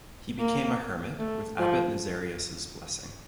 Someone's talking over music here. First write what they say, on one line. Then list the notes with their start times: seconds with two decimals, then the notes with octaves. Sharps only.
He became a hermit with Abbot Nazarius' blessing.
0.39 A#3
1.19 A3
1.59 F3